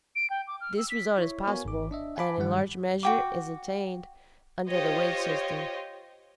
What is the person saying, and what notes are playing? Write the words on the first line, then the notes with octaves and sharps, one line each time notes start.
This result is possible and in large measure is attained under the wage system.
D7
G5
D6
F6
E6
B6
E4 C#5
B3 F#4 A#4 C#5 F5 G#5
G#1 D6
D4 D#5 E5
F#5 G#5 A5 B5 D6
G2 D#3 G3 F#5
F#4 G5 D6
F4 G4 C5 C#5 D#5